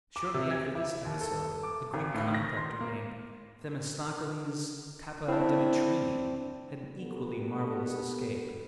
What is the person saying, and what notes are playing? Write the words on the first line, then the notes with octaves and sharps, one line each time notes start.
Shortly after this episode, a Greek contractor named Themistocles Pappadimitrini had an equally marvellous escape.
D6
C3
G#6
E4
D#2
A4
D6
G#1
A2
A#6
C6
A#3
C4 D4 E4
A#3 B3 D4 F#4 G4 A4